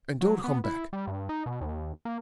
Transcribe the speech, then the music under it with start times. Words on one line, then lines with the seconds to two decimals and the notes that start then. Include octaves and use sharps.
And don't come back.
0.21 F#3
0.44 B3
0.64 E4
0.93 G3
1.07 G2
1.29 D#4
1.46 B2
1.61 D#2
2.05 A#3